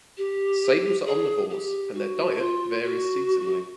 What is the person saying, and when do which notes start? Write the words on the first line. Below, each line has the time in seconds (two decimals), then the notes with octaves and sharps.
Sables are omnivores, and their diet varies seasonally.
0.17 G4
1.05 G#4
1.50 G4
1.94 F#4
2.38 F4
2.83 F#4